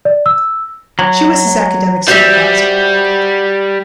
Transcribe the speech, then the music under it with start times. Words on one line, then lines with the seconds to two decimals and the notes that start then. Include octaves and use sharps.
She was his academic supervisor.
0.05 D5
0.26 E6
0.99 F#3
2.08 G3 F#4 C5 E5